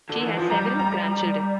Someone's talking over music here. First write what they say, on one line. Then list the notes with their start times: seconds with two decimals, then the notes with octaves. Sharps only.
She has several grandchildren.
0.09 D3
0.23 E3
0.37 F3
0.50 G3 A#5
0.79 A#5